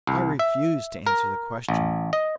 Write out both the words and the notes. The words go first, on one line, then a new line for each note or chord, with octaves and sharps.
I refused to answer the question.
C2
E5
A#4
A1
D#5